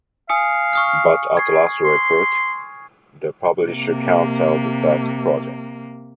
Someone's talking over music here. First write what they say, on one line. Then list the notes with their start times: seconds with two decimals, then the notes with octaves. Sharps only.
But at last report, the publisher canceled that project.
0.29 F5 G#5 D#6 C#7
0.73 C#6 D#6 F6
1.35 C#6 G#6 C7
1.85 C6
3.65 C3 A#3